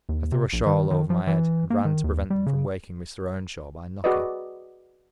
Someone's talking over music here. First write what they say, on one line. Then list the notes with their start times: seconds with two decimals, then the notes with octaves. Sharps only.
I threw a shawl over my head and ran to prevent them from waking Mr. Earnshaw by knocking.
0.09 D#2
0.32 C3
0.53 A#1
0.66 D#3
0.91 D#3
1.10 F3
1.27 E3
1.70 A#3
1.85 D#3
2.04 D#2
2.30 G3
2.46 C#3
4.04 F#4 G#4 B4 D5 D#5